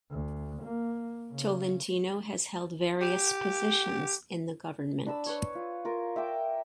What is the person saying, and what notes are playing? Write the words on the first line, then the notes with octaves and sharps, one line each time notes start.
Tolentino has held various positions in the government.
D2
A#3
C#3
G4
D4 B5 E6
B4 C#5
F4
F4 A#4
E5 G5 D6